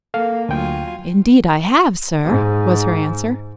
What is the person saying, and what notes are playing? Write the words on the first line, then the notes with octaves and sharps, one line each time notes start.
"Indeed I have, sir," was her answer.
A#3 A4 F5
D2 F#3 F4 G5 G#5
G#2